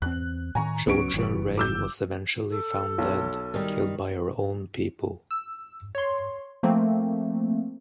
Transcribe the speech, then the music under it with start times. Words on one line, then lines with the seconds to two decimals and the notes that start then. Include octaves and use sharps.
Georgia Rae was eventually found dead, killed by her own people.
0.02 E2 C4 F#6
0.55 A2 D#3 G#5 A#5 C#6
0.87 C#2 F#3 B3 C#4 C#6 D7
1.14 F#1 E3 G3
1.58 D6 E6 G6
2.50 A4
2.98 B1
3.54 D#3 G3
5.31 E6
5.95 C#5 C6
6.63 F3 A3 A#3 C4